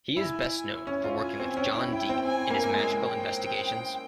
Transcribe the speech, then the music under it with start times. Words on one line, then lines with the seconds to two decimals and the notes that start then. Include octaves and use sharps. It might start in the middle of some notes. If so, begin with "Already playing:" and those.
He is best known for working with John Dee in his magical investigations.
0.17 E4 G#5
0.87 C#4
1.04 F4
1.22 G#5
1.39 C4
1.57 C#4 G5
1.75 E4
1.92 E4 G5
2.09 C4
2.27 G#5
2.50 A#3
2.64 A#3
2.74 G#3
2.97 G5